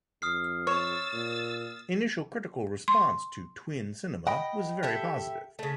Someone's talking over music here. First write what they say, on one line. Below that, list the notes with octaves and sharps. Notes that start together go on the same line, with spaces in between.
Initial critical response to "Twin Cinema" was very positive.
F2 D#6 F6 C7
C#5 E6 A6
A#2
C6
D#5 F#5 G5 B5
G4 A4 E5
C#3 A3